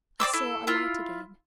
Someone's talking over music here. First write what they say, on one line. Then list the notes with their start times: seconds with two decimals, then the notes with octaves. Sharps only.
I saw a light again.
0.20 C4 D5 D6 E6
0.33 E4 A4
0.67 E4 F4